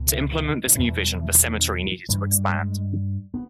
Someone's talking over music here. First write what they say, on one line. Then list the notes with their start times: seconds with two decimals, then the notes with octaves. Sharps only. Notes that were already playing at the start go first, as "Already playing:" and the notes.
To implement this new vision, the cemetery needed to expand.
Already playing: C#2 B2
0.09 E3
0.32 E3
0.42 D#3
0.66 D#3
0.75 B2 E3
0.79 E2
0.88 E3
0.97 G3
1.20 E3
1.43 D#3
2.09 G2 E3
2.32 G3
2.49 G3
2.54 G#3
3.34 B3